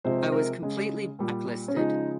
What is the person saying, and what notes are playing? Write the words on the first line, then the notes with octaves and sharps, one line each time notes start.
I was completely black-listed.
C3 F3 G#3 C5
C5
A#4
C#3 G#3
A#2 G3
C#4
C#3 F3 G#3 D#4